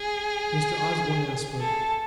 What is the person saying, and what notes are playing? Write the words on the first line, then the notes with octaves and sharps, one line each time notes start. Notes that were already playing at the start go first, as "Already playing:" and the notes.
Mr. Osborne now spoke.
Already playing: G#4
A4